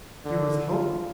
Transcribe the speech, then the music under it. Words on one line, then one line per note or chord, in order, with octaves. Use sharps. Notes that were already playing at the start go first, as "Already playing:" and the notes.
Here was hope!
D3
F4